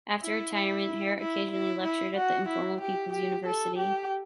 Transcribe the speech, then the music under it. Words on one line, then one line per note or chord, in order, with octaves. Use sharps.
After retirement, Haret occasionally lectured at the informal "People's University".
E4
E4
E4
E4
E4
F#4
E4
G4
G4
A4
G4